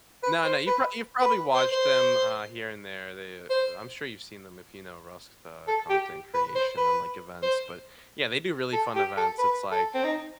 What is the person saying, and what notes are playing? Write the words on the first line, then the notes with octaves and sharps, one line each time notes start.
No, no, you've prob you've probably watched them, uh, here and there, they I'm sure you've seen them if you know Rust, uh, content creation and, like, events, but, yeah, they do really fun events, it's, like,
B4
C5
B4
B4
C5
C5
C5
A4
G4
B4
C5
B4
C5
A4
G4
A4
B4
A4
C4
D#4